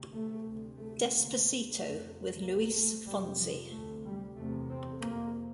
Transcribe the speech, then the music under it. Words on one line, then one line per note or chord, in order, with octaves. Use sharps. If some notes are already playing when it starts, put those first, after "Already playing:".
Despacito with Luis Fonsi.
Already playing: D2 C3
A3
D2 C3
A3
D2 A#3
C3
F2 C3 A3
C2 C3 A#3
A3
F2 C3 G3
F3
D2 C3 A3
G3
E2 C3 A3
C4
F2 C3 A#3